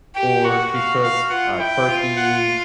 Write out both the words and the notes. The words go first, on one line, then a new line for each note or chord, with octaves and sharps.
or she cooks, uh, turkey,
G4 G5
F#4 F#5
F5
F5
F4 F#5
E4 G5
F4
F#5